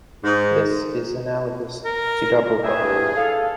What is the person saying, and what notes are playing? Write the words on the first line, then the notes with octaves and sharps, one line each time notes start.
This is analogous to double buffering.
G#2
A#4
G4 G#4 B4 E5
E2 G2
A4 F5